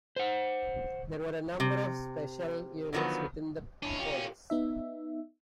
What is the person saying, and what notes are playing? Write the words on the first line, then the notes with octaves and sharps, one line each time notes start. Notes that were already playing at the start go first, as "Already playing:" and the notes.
There were a number of special units within the police.
C5 F#5
C3
D3 D#3 F3 F#3 B3
C#4 D4 E4
F4 G4
B3 D#4 E5